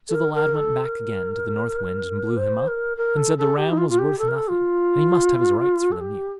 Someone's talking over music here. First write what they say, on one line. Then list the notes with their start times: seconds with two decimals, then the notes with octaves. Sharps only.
So the lad went back again to the North Wind, and blew him up, and said the ram was worth nothing, and he must have his rights for the meal.
0.09 A4
0.14 A#4
0.34 A#4
0.55 A4
0.85 A#4
2.37 C5
2.68 A#4
2.97 A#4
3.17 A4
3.38 A4
3.58 G4
3.70 D#4
3.78 F4
3.90 F4
3.99 G4
4.19 A4
4.28 A#4
4.36 A4
4.49 F4
5.92 A4
6.01 G4